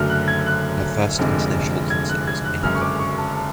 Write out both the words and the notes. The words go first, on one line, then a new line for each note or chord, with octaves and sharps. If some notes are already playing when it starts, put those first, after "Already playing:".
Her first international concert was in Mexico.
Already playing: F#1 F#2 D3 F#3 A3 F6
F#6
G#6
F#6
F1 F2 D3 G#3
G#6
F#6
G#6
F#6
F#1 F#2 D3 G#3 F6
C#6
D6
C#6
A5
A5